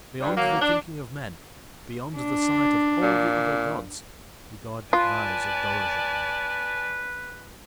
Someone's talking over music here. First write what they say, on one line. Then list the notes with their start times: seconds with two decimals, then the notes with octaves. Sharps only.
Beyond the thinking of men, beyond the sight of all the other gods, regard the eyes of Dorozhand.
0.21 G2
0.37 F#3 A#3
0.62 D4
2.16 D4
3.02 A#2
4.93 F4 B4 D5 G#5 A5